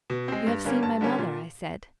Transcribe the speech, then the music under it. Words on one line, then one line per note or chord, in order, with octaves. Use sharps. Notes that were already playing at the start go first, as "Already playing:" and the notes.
"You have seen my mother," I said.
B2
G#3 C4
G2
D3 G3 A#3 C#4
G2 A5
D3 G3 A#3 C#4
A#2